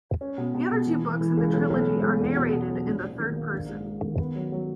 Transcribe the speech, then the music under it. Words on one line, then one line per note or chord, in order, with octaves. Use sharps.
The other two books in the trilogy are narrated in the third person.
C#4
B2
B2
B2
E3
E3
E3
C#2
B1
B1
G#3
B1
E2
B2
B2
F#3
A#1
A#1
D#3
A#3
A#1
G#2
G#2
D#3
B3
F#3
F#3